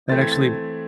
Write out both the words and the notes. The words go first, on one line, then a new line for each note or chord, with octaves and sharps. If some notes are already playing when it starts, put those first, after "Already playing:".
that actually
E3 A3 C4 A6
G#6
A6